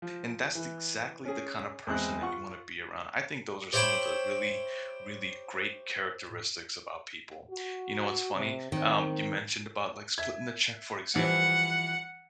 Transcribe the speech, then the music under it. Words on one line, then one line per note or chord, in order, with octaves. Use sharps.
and that's exactly the kinda person that you wanna be around, I think those are some of the really, really great characteristics about people. You know what's funny? Um, you mentioned about, like, splitting the check, for example,
F3
E3
C#4 G#4
E2 G#3 C4 F#6
F4 F#5 C#6
G4 C5 C#5 E5 G5 B5
F#4
C3
D#3 C4
E5 G#6
E3 F3 G3 F#5